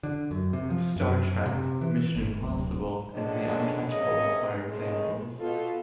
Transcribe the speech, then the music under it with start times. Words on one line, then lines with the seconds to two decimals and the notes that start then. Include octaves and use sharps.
"Star Trek", "Mission Impossible", and "The Untouchables" are examples.
0.03 D3
0.31 F#2
0.53 C3
0.70 F3
0.96 F#2
1.46 C3
1.81 E3
2.15 G1
2.41 D1
3.13 D3 D#3 F3 G#3 C#4 D4
3.87 G#2 C3 G#3 A#3 C#4 D#5
4.68 A2 C3 D#3 G#3
5.40 B2 F4 A4